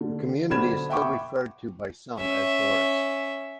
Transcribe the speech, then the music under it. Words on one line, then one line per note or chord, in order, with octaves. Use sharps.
The community is still referred to by some as Dorris.
D3
B1 D3 C5 B5 G#6 E7
E5 F#5 G5 B5 C#6 D6
C#4 E5